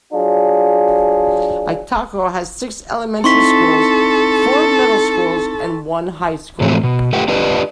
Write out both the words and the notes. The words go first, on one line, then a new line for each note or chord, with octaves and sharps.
Itako has six elementary schools, four middle schools, and one high school.
F#3 D4 F4 G#4
C4 D#4 E4 A4 C6 C#6 B6
A2 E3 F3 A3 C4 F#4
B2
A3 F4 G4 B4 F#5
D4 F4 G4 B4 D#5